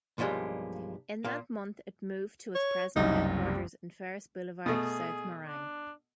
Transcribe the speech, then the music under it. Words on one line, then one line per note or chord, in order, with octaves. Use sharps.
In that month, it moved to its present headquarters in Ferres Boulevard, South Morang.
B1 G2 F3 G3 G#3 A#3
A#2 A#3
C#5
F#1 C2 F#2 D#4
G3
B2 A3 G#4
D4